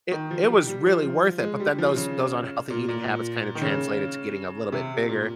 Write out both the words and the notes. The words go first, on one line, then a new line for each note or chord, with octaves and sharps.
it it was really worth it, but then those those unhealthy eating habits kind of translated to getting a little bit bigger,
D#3
F3
G3
G3
F3
G#3
G3
F3
C#3
A#2
A#2
D#3
C#3
C3
A#2